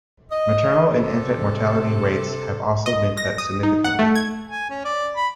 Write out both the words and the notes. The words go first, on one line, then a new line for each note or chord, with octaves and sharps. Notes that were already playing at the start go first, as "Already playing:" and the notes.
Maternal and infant mortality rates have also been cut significantly.
D#5
C3 A4
D#5
A#6
D#6
D#4
F#5
A3
G#6
G#5
C#4
D5
B5